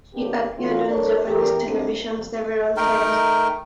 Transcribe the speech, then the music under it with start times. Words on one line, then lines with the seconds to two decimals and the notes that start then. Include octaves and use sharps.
She appeared on Japanese television several times.
0.14 D3 A#3 B3 C#4 G4
0.56 E3 A3 C4 C#4 F4 F#4
0.88 D4 A4 A#4 C#5 D5
1.28 E2 G4 A#4
1.65 G#2 C3 A#3 C4 D4
2.77 A3 D#4 A#4 G5